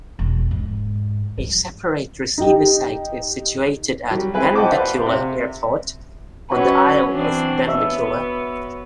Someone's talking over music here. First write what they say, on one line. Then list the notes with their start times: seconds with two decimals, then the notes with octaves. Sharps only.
A separate receiver site is situated at Benbecula Airport, on the Isle of Benbecula.
0.19 E1
0.51 G#2
1.38 G3
2.38 D#4 G4
4.11 F#3 G3
4.34 C4 E4 B4 G#5
4.55 C5 D#5 F#5 G5 A5 D6
4.71 B4 C5 D5 E5 F5
5.06 C3
6.52 F#3 C#4 B4
7.09 E3 C4 D4
7.69 B3 E5